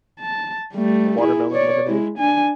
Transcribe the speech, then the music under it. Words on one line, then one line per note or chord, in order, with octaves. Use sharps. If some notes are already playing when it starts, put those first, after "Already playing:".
a watermelon lemonade.
A5
G3 A3
E4 G#4
C#5 D5
G#3 E4
D4 G#5